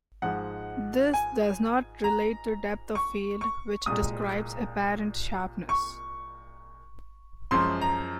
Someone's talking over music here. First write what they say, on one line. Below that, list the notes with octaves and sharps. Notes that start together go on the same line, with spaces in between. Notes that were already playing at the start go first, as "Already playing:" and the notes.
This does not relate to depth of field which describes apparent sharpness.
G#2 F3 G#3 F#5
G#5
A#5
C#6
C#6
C2 A#2 G#3 D#6
C#6
F#2 F3 G#3 C6
A#5